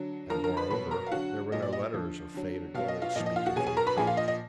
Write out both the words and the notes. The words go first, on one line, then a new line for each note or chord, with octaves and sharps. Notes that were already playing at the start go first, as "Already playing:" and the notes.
And, moreover, there were no letters of faded gold speaking from the colors.
Already playing: D3 F#3
D3 F3 A#4 A#5
A#4 A#5
B4 B5
B2 F#3 B4 B5
A#4 A#5
F5
D3 F#3 F#4 F#5
A#2 F#3 D#5
D5
D#5
D3 F3
D3 F#3
B2 F#3 F5
D#5
F4 F5
A#2 F3 D#5
D#5
F4 F5
F#4 F#5
B2 F#3 G#4 G#5
G#4 G#5
A#4 A#5
B4 B5
A#2 F3 G#4 G#5
F4 F5
D#5
D#5